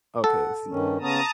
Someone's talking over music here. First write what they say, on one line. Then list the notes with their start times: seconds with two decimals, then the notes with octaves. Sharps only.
Okay, I see.
0.24 A4 F#5
0.70 G2 D#3 C#4
1.01 C#3 B3 C#4 A5 A#5 D#6